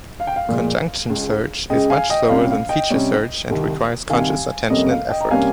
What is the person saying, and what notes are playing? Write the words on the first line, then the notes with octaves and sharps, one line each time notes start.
Conjunction search is much slower than feature search and requires conscious attention and effort.
F5
G5
F5
A#2 F3 G#3
C#2 C#3 G#3
C#2 C#3 G#3 D#5 G5
F5 G#5
D#5 G5
C3 G3 C#4 F5
F5
D#5 G5
C3 G3 C#4
C2 C3 D#3
C2 C3 D#3 F5 G#5
F2 C3 G3 A#3 C#4 D#5
F5
D#5 G5
A#5
C3 G3 A#3 C#4 F5 G#5